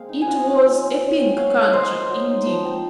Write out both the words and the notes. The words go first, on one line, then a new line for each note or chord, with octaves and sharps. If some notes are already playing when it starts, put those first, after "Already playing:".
It was a Pink Country, indeed.
Already playing: G#3 A#3 C4 F5
D#4
G#5
F4 D#5 F#5
A#3
F#3
C#4
F#3
C4
F#3 C#5 F5
D#4
F#3 C5 D#5
A#3
F#3
D#4
F3
C4